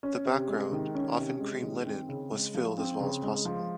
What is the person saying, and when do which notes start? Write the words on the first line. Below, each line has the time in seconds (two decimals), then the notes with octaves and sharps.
The background, often cream linen, was filled as well as possible.
0.03 C#4
0.25 C3
0.48 G#3
0.71 D#3
0.95 C#4
1.17 C3
1.40 G#3
1.62 D#3
1.86 C4
2.08 C#3
2.31 G#3
2.54 F3
2.77 C4
3.00 C#3
3.23 G#3
3.45 F3